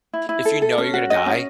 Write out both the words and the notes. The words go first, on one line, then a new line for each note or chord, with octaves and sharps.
if you know you're gonna die
E4
E4
A4
A4
C#4
F#4
D#5
C#4